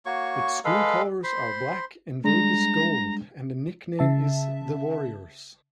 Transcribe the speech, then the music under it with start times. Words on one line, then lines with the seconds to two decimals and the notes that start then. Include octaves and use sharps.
Its school colors are Black and Vegas Gold and the nickname is the Warriors.
0.06 A#3 F#4 C#5 C#6
0.65 G#3 A4 B4 F5
1.24 C5 B5 C6
2.24 G3 G#3 D4 A#5
3.99 C#3 E5 A5